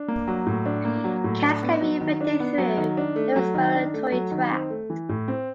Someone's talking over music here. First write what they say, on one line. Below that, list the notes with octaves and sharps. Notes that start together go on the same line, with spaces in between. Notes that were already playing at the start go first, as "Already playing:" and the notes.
Cats can be infected through the respiratory tract.
Already playing: D4
A#3
F#3
A2
D4
A#3
F#3
A2
D4
B3
F#3
D#3
D4
B3
F#3
D#3
D4
A3
F#3
D#3
D4
A3
F#3
D#3
C4
A3
E3
A2
C4